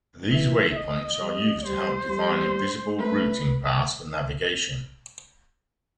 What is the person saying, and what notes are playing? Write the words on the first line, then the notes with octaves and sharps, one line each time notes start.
These waypoints are used to help define invisible routing paths for navigation.
E3 E5
D#5
G3
G3 C5
G3
A3 B4